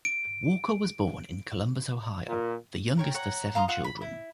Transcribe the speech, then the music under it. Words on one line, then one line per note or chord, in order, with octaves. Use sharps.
Walker was born in Columbus, Ohio, the youngest of seven children.
D7
A#2
A#4 C#5 G5
C#5 F#5 A#5
F5 A#5 C6 D#6
F4 F#5 D#6
B5
E4